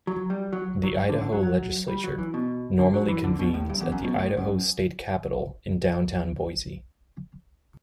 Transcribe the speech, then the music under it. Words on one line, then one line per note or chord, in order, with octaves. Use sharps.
The Idaho Legislature normally convenes at the Idaho State Capitol in downtown Boise.
F#3
G3
F#3
F#3
D3
D3
F#3
F#3
G3
F#3
E3
B2
D3
F#3
E3
D3
B2
A2
G2
E2
F#2
B2
A2
F#2